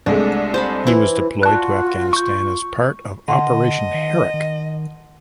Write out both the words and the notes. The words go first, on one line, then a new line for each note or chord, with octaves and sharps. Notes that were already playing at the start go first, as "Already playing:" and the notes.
He was deployed to Afghanistan as part of Operation Herrick.
C2 G#3 A3 D4
C5 A5 B5
E3 E4
F4 F#4 D5 A5 F#6
C#6 G6
D3 D#5 F#5 A5 C6
D#3
D#3